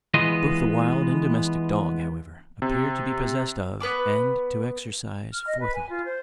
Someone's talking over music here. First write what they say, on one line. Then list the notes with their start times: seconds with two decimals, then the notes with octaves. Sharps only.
Both the wild and domestic dog, however, appear to be possessed of and to exercise forethought.
0.14 E3 G#3 B3 F4 D#5
2.62 C3
3.80 B3 B4 B5 D6
5.33 F6
5.46 D#5
5.59 B4
5.74 G#5
5.89 F4
6.05 C5